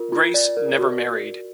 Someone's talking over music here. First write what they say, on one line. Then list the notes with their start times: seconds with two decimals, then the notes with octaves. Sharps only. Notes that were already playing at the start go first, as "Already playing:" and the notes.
Grace never married.
Already playing: F4 A#4
0.12 F4
0.34 D5
0.57 A#4
0.79 F#4